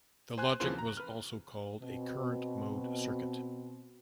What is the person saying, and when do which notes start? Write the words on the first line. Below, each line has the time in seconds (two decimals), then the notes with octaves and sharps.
The logic was also called a current mode circuit.
0.38 C5 G#5 F#6
0.60 D#2 C#3 E3 F3 C4 C6
0.78 A#5
0.97 B4 F6
1.82 B2 C4